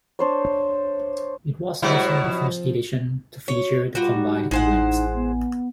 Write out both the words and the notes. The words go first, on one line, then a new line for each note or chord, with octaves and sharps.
It was also the first edition to feature the combined events.
D4 C5 C#5
B2 F#3 G#3 E4 G4 C5
F3 C4
F#4 C#5
G3 F4 F#4
D#4
A1 G#3 D#4 E4 C5 F#5 G#5
B3